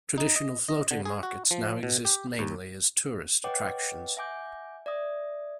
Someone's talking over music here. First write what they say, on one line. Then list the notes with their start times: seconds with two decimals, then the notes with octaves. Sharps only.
Traditional floating markets now exist mainly as tourist attractions.
0.18 D#4
0.36 D#5
0.68 D#5
0.91 D3
1.05 G#4
1.23 F#4
1.51 F3
1.83 B2
2.05 G4
2.39 D#2
3.44 B4 C#5 D#5 F#5 G5 D6
4.17 E5 F#5 G#5 D6 G6
4.86 D5 E5 D#6